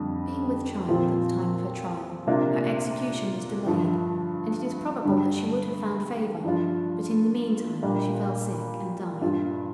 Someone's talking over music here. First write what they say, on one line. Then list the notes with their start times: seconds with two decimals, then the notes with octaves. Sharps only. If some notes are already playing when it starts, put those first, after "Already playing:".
Being with child at the time of her trial, her execution was delayed; and it is probable that she would have found favor, but in the mean time she fell sick and died.
Already playing: F2 D3 G3
0.88 A#2 F3 C4 F4
2.27 C3 A#3 D4 F4
3.67 G2 D3 F3
5.05 G2 D3 G3
6.43 G2 F3 D4 F4
7.82 A#2 G3 A#3 D4
9.21 G2 G3 D4 F4